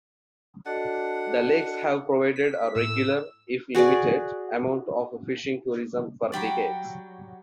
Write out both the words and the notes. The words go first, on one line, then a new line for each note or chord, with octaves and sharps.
The lakes have provided a regular, if limited, amount of fishing tourism for decades.
D4 F#4 A4 D#5 F#5
B6
A2 E6
F#4 G#4 B4 D5
F#3 G3 G4 D5